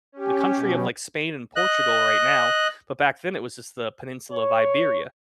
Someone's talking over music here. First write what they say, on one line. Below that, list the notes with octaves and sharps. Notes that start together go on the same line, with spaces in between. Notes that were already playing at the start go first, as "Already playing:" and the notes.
the country of, like, Spain and Portugal right now, but back then it was just the Peninsula of Iberia,
C#4 G4
B2 F#3
D#5 F#6
C#5